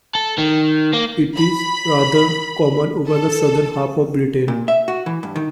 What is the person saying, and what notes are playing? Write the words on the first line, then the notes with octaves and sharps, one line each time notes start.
It is rather common over the southern half of Britain.
A4
D#3
A#3
B5
A4
A#2
E5
F#4
E3
G2
D#3